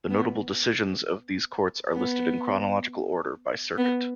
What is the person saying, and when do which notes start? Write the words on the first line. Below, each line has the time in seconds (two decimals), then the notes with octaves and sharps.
The notable decisions of these courts are listed in chronological order by circuit.
0.10 B3
1.94 B3
3.78 B3